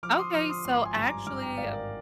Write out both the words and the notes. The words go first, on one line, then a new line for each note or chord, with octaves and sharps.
Okay, so, actually,
F3 D6 F6
C6 D#6
F3 D6 F6
C6 D#6
G#1 C6 D#6
G#5 C6
G2
A#5 D6
G2 D6 F6
G5 A#5
G#1 D5 F5
A#4 D5